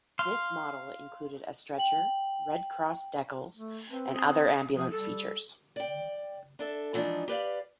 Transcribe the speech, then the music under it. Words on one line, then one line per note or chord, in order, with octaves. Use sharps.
This model included a stretcher, red cross decals, and other ambulance features.
F5 C6
G5 F#7
A3
C4 B4
D#6
F3 D#6
G3 A4
D5 G5
D4 A4 E5
G#2 E3 F3 G3 D4 D#4
G4 B4 D5 F5